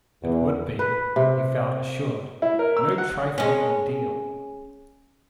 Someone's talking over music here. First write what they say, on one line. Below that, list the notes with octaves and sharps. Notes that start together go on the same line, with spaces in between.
It would be, he felt assured, no trifling ordeal.
E2
B4
C3
E4
A#4
E6
F#5
G#3 C#4